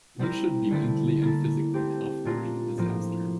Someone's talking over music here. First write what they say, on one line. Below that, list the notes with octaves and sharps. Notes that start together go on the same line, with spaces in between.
One should be mentally and physically tough during a disaster.
G3 C4 E4 A#4
D3 A3 C4 E4
A#3 E4 A4
A3 C4 G4
A#2 A3 D4 F4 A#4
A2 F3 A#3